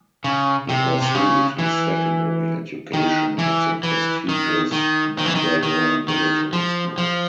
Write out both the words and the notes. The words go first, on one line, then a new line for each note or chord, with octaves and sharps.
He pursued his secondary education at the prestigious Bangalore Military School.
C#3
C3
C3
C#3
E3
D#3
E3
E3
D#3
D#3
D#3
E3
D#3
D#3
D#3
F3
F3